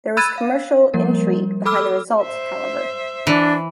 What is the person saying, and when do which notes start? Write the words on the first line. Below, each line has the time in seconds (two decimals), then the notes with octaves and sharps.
There was commercial intrigue behind the result, however.
0.17 B5 E6 F#6 G#6 A6 D#7
0.38 F5
0.94 F3 G3 A#3 A#4
1.66 A4 B5 D6 E6 F6
2.20 C5 E5
3.27 E3 D4